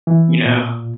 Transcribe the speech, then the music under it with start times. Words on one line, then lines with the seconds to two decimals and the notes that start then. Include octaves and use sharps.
You know?
0.07 E3
0.45 A#2